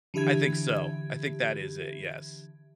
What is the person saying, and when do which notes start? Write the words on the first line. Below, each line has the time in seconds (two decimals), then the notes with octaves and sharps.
I think so. I think that is it, yes.
0.14 D3 E3 G4 E5 G#6